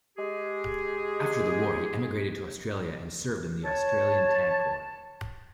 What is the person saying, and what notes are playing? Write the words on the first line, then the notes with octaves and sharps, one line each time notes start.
After the war he emigrated to Australia and served in the Australian Tank Corps.
G#3 G4 G#4
C#5 A5